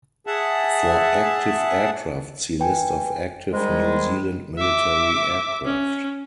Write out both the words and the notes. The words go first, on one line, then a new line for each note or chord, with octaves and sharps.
For active aircraft see List of active New Zealand military aircraft.
G#4 E5 F#5 A5
B4 G5 G#5
G#2 D#3 G3 G#3
E5 D6
C#4